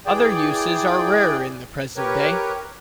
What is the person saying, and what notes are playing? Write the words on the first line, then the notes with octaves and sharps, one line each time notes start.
Other uses are rarer in the present day.
E3 G#4 D5 G5
G4 A#4 B4 C#5